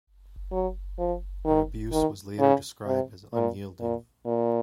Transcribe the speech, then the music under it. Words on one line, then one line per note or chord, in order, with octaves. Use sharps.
Her abuse was later described as "unyielding".
F#3
F3
D#3
D#3
C#3
C3
A#2
A#2
A#2